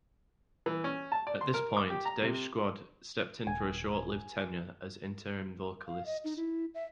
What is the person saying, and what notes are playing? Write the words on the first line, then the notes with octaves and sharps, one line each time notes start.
At this point, Dave Scrod stepped in for a short-lived tenure as interim vocalist.
E3
C#4
A5
D5
C6
A#4
D6
G4
A#5
C3
D#1 G#5
F5
D#5
D#4
E4
E5